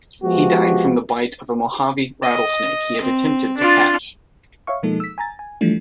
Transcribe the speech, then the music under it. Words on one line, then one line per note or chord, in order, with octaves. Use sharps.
He died from the bite of a Mojave rattlesnake he had attempted to catch.
F3 G#3 B3 F#4 G4
D#5
C4
D4 F4
C#5 E5 F5 C#6
B2 F3 G#3 A#3 D#4 A4
E6 B6
G#5 A#5 A6
G#5
E3 F3 G3 A3 D4